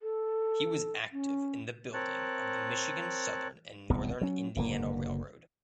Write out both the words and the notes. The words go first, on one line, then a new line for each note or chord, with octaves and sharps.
He was active in the building of the Michigan Southern and Northern Indiana Railroad.
A4
C#4
C4 A#4 C#5 A5 F#6
D1 C2 B3
F#3 C#4
F#1 B2 D3 A#3